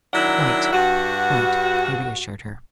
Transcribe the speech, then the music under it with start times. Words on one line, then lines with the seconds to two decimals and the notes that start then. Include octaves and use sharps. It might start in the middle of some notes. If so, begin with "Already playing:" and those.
"Quite--quite," he reassured her.
0.14 D#3 F#3 D4 E4 F#5
0.73 G2 F#4